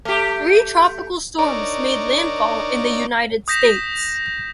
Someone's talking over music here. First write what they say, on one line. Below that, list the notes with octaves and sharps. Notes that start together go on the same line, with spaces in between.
Three tropical storms made landfall in the United States.
A3 G4
D4 D#4 A#4 C#5 D5
D#6 G6 A#6 B6 E7